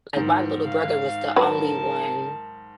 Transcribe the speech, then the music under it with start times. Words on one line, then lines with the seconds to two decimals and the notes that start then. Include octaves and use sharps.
like, my little brother was the only one
0.16 G#2 D#3
0.65 F5
1.36 F#3 A#4 B4 A5